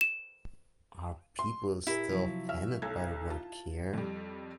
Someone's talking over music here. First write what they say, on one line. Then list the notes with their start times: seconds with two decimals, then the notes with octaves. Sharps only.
Are people still offended by the word queer?
0.01 E7
1.39 C6
1.87 A#2 E4 G4 E5
2.10 C3 F3 F#3
2.49 E5 F6
2.82 B1 A4 G#6
3.30 F4 A5
3.94 F2 G3